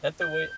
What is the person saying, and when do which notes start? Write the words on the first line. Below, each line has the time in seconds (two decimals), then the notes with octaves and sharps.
that's the way
0.22 G6